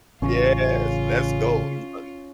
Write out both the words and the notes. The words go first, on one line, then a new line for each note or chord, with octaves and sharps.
Yes. Let's go. You hu
A1 C#3 C#4 F4 C#5